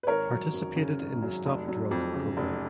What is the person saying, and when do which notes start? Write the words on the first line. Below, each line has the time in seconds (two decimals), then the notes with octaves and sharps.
Participated in the Stop Drug Program.
0.03 B4
0.07 G#1 A#4 C#5
0.31 F#3
0.54 F#2
0.76 C#3
0.99 G#1
1.22 F#3
1.45 F1
1.68 F#3
1.91 F2
2.14 C#3
2.37 F1